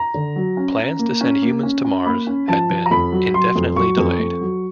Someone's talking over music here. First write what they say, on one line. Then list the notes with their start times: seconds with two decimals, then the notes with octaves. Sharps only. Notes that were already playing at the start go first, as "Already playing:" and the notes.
Plans to send humans to Mars had been indefinitely delayed.
Already playing: A#5
0.14 D3
0.36 F#3
0.57 C#4
0.78 C#4
0.99 A#3
1.21 C#4
1.42 A#3
1.63 C#4
1.85 C#4
2.06 A#3 B5
2.27 C#4
2.48 F3 A5
2.70 F3
2.86 A#5
2.91 F2 B5
3.12 F#3
3.34 F#3 C6
3.55 F2
3.76 F#3 C#6
3.97 F2
4.20 F2
4.41 F#3